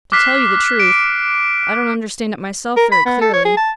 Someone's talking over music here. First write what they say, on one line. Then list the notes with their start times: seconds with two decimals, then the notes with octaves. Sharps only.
To tell you the truth, I don't understand it myself very clearly.
0.12 D6 F6 F#6 B6 C7
0.80 D7
2.77 A#4
2.92 B5
3.06 B3
3.21 A4
3.34 C#5
3.45 G#4
3.57 A5